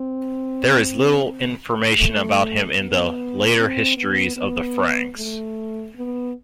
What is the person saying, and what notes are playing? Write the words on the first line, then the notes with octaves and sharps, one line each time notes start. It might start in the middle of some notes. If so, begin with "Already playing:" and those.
There is little information about him in the later histories of the Franks.
Already playing: C4
A3
B3
C4
B3
B3
A3
B3